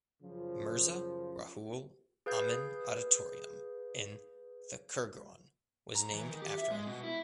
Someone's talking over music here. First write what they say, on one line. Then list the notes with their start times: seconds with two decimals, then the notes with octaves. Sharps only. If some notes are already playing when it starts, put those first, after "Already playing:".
Mirza Ruhul Amin auditorium in Thakurgaon was named after him.
0.22 F#2 C#3 F3
2.26 G#4 B4 F5 G6 G#6
5.96 A#5
6.14 E3
6.29 D#3
6.42 G4
6.58 E5
6.71 G#3
6.87 B2
7.03 E4